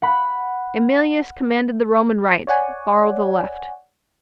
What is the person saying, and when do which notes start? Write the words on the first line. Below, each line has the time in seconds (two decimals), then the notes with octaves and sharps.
Emilius commanded the Roman right, Varro the left.
0.02 F#5 B5
2.47 C#5 D5 F#5 G#5